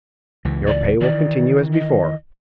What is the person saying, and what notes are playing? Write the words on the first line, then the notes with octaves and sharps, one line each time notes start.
Your pay will continue as before.
C#2 E3
D5
D#3 E3 D5
D#5